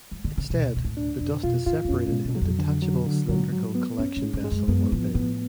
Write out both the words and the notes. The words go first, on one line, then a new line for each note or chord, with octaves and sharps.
Instead, the dust is separated in a detachable cylindrical collection vessel or bin.
F3
D3
C#3
D2 B2
D2 B2
A2
D4
F2 B2
B2 F4
A2 F4
F2
F#2 C#4
G#2
B2
F#2
F#3
F2
D3
F#3
D3
G#2 F#3
F#3
B3
F#2 C#4
G#2
G#3
G#2
G#3
F#2
F#2 B3
A2 F3
A2 B3